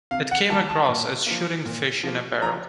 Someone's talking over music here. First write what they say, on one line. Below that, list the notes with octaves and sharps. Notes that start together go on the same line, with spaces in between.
It came across as shooting fish in a barrel.
C3 F5
F#5
D#3 F#3 A#3 A5
A5
A#2
F3 A#3
A#2
F3 A#3
F3 A#5